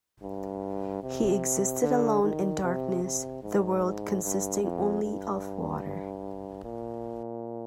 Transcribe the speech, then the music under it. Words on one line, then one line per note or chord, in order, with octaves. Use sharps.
He existed alone in darkness, the world consisting only of water.
G2
C3
D3
D#3
C3
C3
G#2
G2
F2
G2
A#2